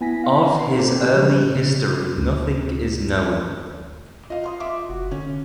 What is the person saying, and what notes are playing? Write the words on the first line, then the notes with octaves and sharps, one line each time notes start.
Of his early history nothing is known.
B3 E4 G#5 A#6 B6
F5 F#5 A#5 C6
D#4 C5 C7
C4 G4 A4 C5
C#3 F3 G3 G#3 G4
C#3
D2
F4 D#5 F5
F5 C6 D#6
E5 D6
F1 F#4
D3 C#4